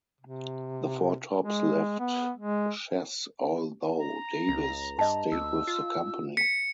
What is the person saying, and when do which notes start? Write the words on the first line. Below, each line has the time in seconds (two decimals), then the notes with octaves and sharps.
The Four Tops left Chess although Davis stayed with the company.
0.21 C3
1.41 G#3
2.00 B3
2.37 G#3
3.99 A#5
4.49 C#2
4.99 G2 D#5 A5
5.32 D2 E6
5.67 F4
6.37 B6 C#7